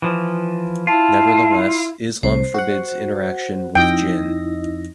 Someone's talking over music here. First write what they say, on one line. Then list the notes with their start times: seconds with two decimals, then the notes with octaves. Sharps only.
Nevertheless, Islam forbids interaction with Jinn.
0.02 E3 F3
0.87 E4 F4 A5
2.23 C2 C5
2.54 F#4 F#5
3.75 F2 D#4 E4 D#5 G5 A#6